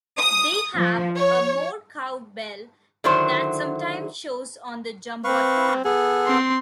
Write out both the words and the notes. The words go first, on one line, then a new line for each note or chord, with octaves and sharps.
They have a "more cowbell" that sometimes shows on the jumbotron.
D#6
F3
C#5
D3 D#3 F#3 E4 C5
C4 B4 F5 C#6
B3 G#4 A4
C4 C6